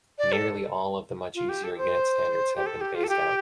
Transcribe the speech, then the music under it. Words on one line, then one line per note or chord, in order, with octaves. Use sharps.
Nearly all of the much easier Unit Standards have been phased out.
D5
A4
F4
G4
A4
A4
C5
G4
A4
G4
F4
A4
G4